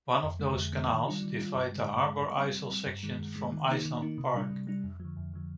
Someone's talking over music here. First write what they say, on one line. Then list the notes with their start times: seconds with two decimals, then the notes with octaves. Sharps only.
One of those canals divides the Harbor Isle section from Island Park.
0.23 F2
0.39 D3 G#3
0.57 F2
0.73 D3 G#3
0.89 D#3
1.06 G3 D4 F4
1.22 D#3
1.39 G3 D4 F4
1.55 G2
1.72 D3 G#3
1.87 G2
2.04 D3 G#3
2.21 G#2
2.37 G3 C4
2.53 G#2
2.70 G3 C4
2.87 G2
3.03 D#3 G#3
3.20 G2
3.36 D#3 G#3
3.52 D#3
3.68 A#3 D#4
3.85 D#3
4.02 A#3 D#4
4.18 C3
4.35 G3 D4
4.50 C3
4.67 G3 D4
4.83 F2
5.00 D3 F3
5.16 F2
5.33 D3 F3